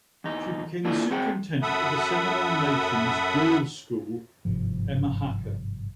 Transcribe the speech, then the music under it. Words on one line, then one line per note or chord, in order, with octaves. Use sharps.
She became the superintendent of the Seminole Nation's girls' school, Emahaka.
E2 D#4
A#3 D4 E4 F4
C4 G#4 F#5 G5
F#2 A4 E5 F#5 B5 D#6
G1 G#2 C3 F3